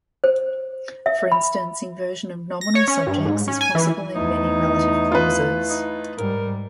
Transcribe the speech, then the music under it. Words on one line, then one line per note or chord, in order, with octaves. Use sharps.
For instance, inversion of nominal subjects is possible in many relative clauses.
C5
E5
B5
A#6
C#5
C#4
G2
G#2
C#4
G#5
E3
E2 A3 D#4 E4
F4 B4
D#4
G#2 G3 A#4